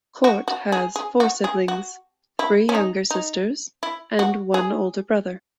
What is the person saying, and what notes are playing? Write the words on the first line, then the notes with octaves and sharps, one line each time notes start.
Cort has four siblings-three younger sisters and one older brother.
F#4
F#4
G#4
G#4
F#4
G#4
F#4
E4
C#4
D#4
D#4
E4
F#4
G#4